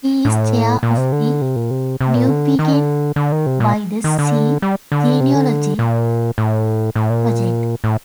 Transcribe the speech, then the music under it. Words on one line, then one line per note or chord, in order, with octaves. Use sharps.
He is Chair of the Newbiggin by the Sea Genealogy Project.
A2
A#2
C3
D3
C3
A#2
C3
C3
A#2
D3
D#3
D3
D3
D#3
C3
A#2
D#3
D3
G3
D3
C3
D3
A#2
A2
A2
A#2
A2